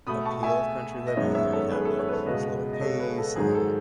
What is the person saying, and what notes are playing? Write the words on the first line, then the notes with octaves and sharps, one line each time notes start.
appeal of country living, you know you have the slower pace and,
B2 A3 B5 D#6
A5 C#6
E5 G#5
D#5
F#2 D#3 G#3 B3 C#5 E5
C#5 E5
A4 C#5
G#4 B4
A4
A4 C#5
B4
A4 C#5
C#2 B2 G#3 B4 D#5
D#5
A4 C#5
G#4 B4
A4
G#2 D#3 F#3 G#4
A4